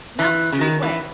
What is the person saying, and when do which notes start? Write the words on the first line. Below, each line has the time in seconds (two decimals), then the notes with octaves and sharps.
Mount street way.
0.19 E3
0.52 C#3
0.61 D#3
0.82 E3